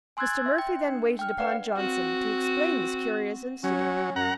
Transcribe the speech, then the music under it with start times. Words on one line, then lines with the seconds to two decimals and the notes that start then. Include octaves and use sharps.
Mr. Murphy then waited upon Johnson, to explain this curious incident.
0.17 G#5 C6 E6 F#6 G#6 A6
0.46 E5
0.58 G5
0.88 D4
1.19 G5 F6
1.38 B4 D5 F5 F#5
1.76 C4 F#4
3.64 F#3 C#4
4.16 F#2 F#5 A#5